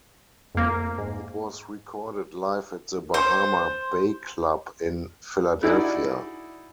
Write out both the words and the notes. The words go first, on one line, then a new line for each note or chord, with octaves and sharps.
It was recorded live at the Bahama Bay club in Philadelphia.
F2 A#3
G#2
C5
D#4 E4 F#4 G#4 D5